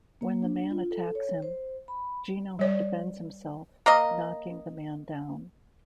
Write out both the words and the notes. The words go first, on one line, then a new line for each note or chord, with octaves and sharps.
When the man attacks him, Gino defends himself, knocking the man down.
A#3
D4
F4
A4
C#5
C5
B5
G3 C#5 D5
A#3 A#4 D#5